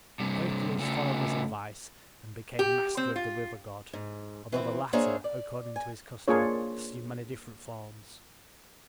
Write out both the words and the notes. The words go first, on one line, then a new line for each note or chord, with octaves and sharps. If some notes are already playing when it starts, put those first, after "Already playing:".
Hercules followed this advice and became master of the river god, although the latter, according to his custom, assumed many different forms.
G2 C3
C#3 A3
G4
C4
F4
G#2
E3 C4 E4
A#3 D4 G#4 C5 C#5 E5
D5
G#5
A#3 D4 F4 G#4 C#5